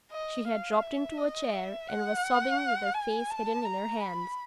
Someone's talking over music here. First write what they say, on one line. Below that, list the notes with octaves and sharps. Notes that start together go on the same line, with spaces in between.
She had dropped into a chair and was sobbing with her face hidden in her hands.
D#5
F5
E5
D#5
E5
F#5
G#5
A5
A#5
B5